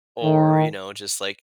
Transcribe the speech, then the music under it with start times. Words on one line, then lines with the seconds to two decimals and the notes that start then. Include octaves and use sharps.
or, you know, just, like,
0.24 D#3